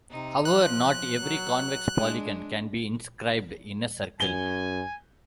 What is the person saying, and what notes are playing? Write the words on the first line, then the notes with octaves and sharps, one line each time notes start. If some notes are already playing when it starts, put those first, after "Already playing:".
However, not every convex polygon can be inscribed in a circle.
C3 D#4
F3 F#6
F#3
G#3 D4
F#2 G#5 G7